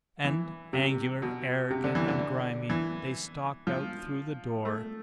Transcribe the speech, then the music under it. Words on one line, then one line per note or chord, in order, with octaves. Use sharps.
And, angular, arrogant and grimy, they stalked out through the door.
E3
C3
B2
C3
D3
E3
D3
E3
F3
A3